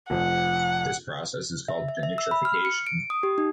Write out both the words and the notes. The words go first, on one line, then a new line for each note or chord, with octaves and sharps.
This process is called denitrification.
F1 F3 F#5
E5
E5
E5
E6
B5
F6
C#7
D7
D#6
G4
D#4